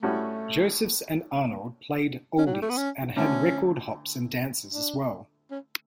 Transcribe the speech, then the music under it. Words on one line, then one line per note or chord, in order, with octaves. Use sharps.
Josephs and Arnold played "oldies" and had record hops and dances as well.
A2 G3 A3 C#4 F#4
C#4
F#3
G3
A3
B3
C#4
D2 D3 A3 C#4 E4
D4
C#4